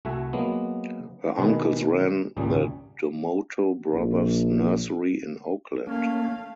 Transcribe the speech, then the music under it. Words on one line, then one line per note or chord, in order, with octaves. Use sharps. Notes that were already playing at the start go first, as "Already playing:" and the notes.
Her uncles ran the Domoto Brothers Nursery in Oakland.
C2 A3 F#4 E5 G#5
F#3 G#3 A#3 B3
B2 D3 D#3 G#4 B4
G#1 C#2 A#2 G3 G#4 C#5
A#1
A3 A#3 C#4 F5